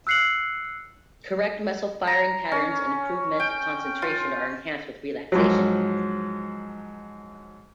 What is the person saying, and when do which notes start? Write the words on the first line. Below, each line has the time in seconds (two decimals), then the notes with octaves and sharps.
Correct muscle firing patterns and improved mental concentration are enhanced with relaxation.
0.07 E6 F#6 C7 C#7 F#7
2.07 A#5
2.52 C#4
3.40 G5
4.02 F4
5.32 G#2 F3 F#3